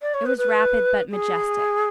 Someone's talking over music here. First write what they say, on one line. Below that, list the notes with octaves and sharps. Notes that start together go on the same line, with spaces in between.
It was rapid but majestic.
D5
C#5
B4
B4
G#4